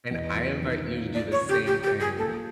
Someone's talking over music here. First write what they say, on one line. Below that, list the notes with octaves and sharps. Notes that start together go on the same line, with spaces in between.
And I invite you to do the same thing.
E2 D#5
F#3
D#3
A#3
F3 D5
C#5
C#3
G4
F3 G4
G4
F3
G#4
A#3 A4